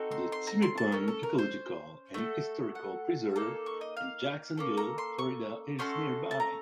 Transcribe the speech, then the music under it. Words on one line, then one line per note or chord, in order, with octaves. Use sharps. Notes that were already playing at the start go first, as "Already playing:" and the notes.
The Timucuan Ecological and Historic Preserve, in Jacksonville, Florida is nearby.
Already playing: C4 D#4 F#4 A4
C6
C6
A#5
C6
A5
C#4 A4 A#4
A4
A#4
C5
A3 D#4 F#4 A4
F#5
A#3 D#4 A4 A5
C#6
D#5
F5
A#3 C#4 A4
A#5
C6
C#6
A3 C#4 F#4 A4 C6
A5
A#5